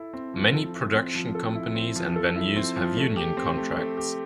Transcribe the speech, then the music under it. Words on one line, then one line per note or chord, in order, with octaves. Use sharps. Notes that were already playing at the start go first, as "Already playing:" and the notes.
Many production companies and venues have union contracts.
Already playing: E4 A4
C4
F3
A4
E4
C4
F3
A4
E4
C4
F3
A4
E4
C4
F3
A3
G4
C4
A3
A3
G4